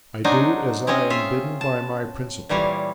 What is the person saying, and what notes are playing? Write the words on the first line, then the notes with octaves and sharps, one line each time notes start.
'I do as I am bidden by my principal.
F#3 D4 D#4 F#4 C5 G#5
C4 C#4 G#4 C#5 D#5
F4 E5 F5
A5
A#2 E3 G3 C#5 F5